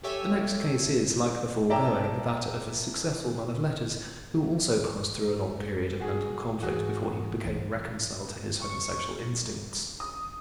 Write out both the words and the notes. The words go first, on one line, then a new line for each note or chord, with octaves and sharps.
The next case is, like the foregoing, that of a successful man of letters who also passed through a long period of mental conflict before he became reconciled to his homosexual instincts.
G4 A4 C#5 E5 G#5
C#5 D5 E5 G5 A5 A#5
F#4 G#4
G#2 E3 F#4 G#4 F#5
E3 D4
C#6
D#6